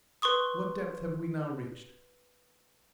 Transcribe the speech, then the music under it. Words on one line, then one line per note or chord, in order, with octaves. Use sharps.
"What depth have we now reached?"
B4 C6 C#6 D#6